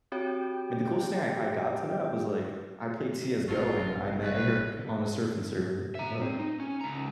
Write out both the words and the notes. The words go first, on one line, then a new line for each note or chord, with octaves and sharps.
mean, the coolest thing I I got to that was, like, I played CS:GO and I met Eric on a surfing server, but
C4 F#4 G4 C#5
A1 C3 F#3 F4 A4
A2 G3 B4
E5 A#5
C4
D#4
C#4
C#2 A#5